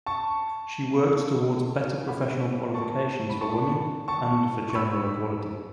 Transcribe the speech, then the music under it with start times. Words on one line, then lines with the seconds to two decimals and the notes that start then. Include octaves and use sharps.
She worked towards better professional qualifications for women and for general equality.
0.06 A5 C#6
2.08 F#5 B5
2.74 A5 C#6
3.30 B5
3.41 A5 C#6
4.08 A5 C#6
4.70 C#6
4.75 B5 E6